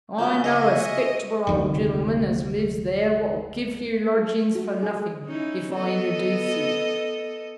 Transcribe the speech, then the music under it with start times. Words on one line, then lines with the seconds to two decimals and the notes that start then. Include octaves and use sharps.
"I know a 'spectable old genelman as lives there wot'll give you lodgings for nothing if I interduce you."
0.18 C#3 F3 F#3 C#4 D6 G6
0.44 G#4 D#5 E5 C#6
1.47 F1 D2 D#3
4.19 A4
4.55 F#4
4.83 G#4
5.26 C#4 D#4 E4
5.74 B3 A4 D#5